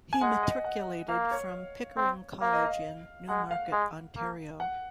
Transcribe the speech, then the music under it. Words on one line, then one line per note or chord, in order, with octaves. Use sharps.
He matriculated from Pickering College in Newmarket, Ontario.
G#5
G#3 F#5
D#5
F#5
A#3 F5
C#5
C4
A#3 F5
D#5
F5
G#3 F#5
F5
G#3
A#3
F#5